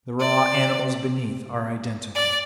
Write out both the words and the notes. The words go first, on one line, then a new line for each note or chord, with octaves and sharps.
The raw animals beneath are identical.
D5
D5